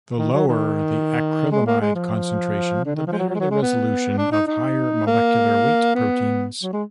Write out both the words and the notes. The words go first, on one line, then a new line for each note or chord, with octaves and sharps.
The lower the acrylamide concentration, the better the resolution of higher molecular weight proteins.
D#3
F#3
D#3
G#3
A#3
G#3
F3
D3
D#3
F3
G#3
F#3
F#3
G#3
F#3
G#3
B3
D4
D#4
D#4
A#3
B3
F#3
G#3